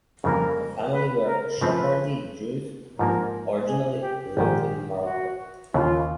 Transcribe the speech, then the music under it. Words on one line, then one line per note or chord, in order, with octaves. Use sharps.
Her family were Sephardi Jews who originally lived in Morocco.
F2 C#3 E3 G3 A#3 A#4
B4
A#4
C#3 F3 A3 C4 B4
G#2 F3 A#3 A#4
G#4
G4
A#1 G#2 D#3 G4
F#4
D#2 C#3 E3 F4